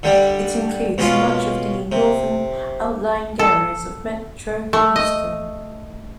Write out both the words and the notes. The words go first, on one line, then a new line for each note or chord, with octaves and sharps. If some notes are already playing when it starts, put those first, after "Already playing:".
It includes much of the northern outlying areas of metro Houston.
D3 G3 D4
B2 G#3 C#4 F4
C3
A4
A3
D#5